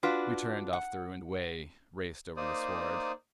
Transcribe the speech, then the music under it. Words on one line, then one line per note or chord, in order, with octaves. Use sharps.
We turned off the ruined way; raced over the sward.
D4 F4 F#4 B4
F#5
A#3 D#4 C5 D5 D#6